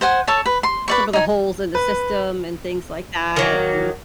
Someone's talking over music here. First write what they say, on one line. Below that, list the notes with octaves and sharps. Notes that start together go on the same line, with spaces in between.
some of the holes in the system and things like that, and,
C5 F#5 G#5
A4 C#5 A5
B4
C6
B4 D5 C#6
D#4 G#5
B4
D#3 F#3 A#3